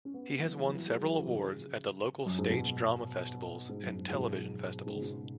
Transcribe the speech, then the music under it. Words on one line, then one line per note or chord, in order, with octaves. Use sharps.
He has won several awards at the local stage drama festivals and television festivals.
C#4
B3
E3
F#3
E3
F#3
E3
G#3
F#3
E3
C#3
F#2
G#2
B2
G#2
F#2
G#2
G#2
B2
F#2
G#2
C#3
B2